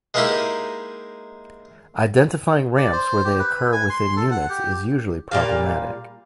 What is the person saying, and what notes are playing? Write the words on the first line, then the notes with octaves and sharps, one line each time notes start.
Identifying ramps where they occur within units is usually problematic.
G#3 A#3 D#4 E4 G4 A#4
D5
C5
G4
B4
G#5
C6
A4
F#5
G4
A#2 G3 F5